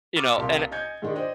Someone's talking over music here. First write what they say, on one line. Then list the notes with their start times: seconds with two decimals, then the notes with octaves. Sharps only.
you know and
0.16 C#6 D6 E6 F6 A6 C#7
0.37 C2 A#3 G4 F5 A5 C6
0.71 D#5 G#5 G6 G#6 C#7
1.02 G#2 D#3 G#3 D4
1.15 C5 D5 D#5 G5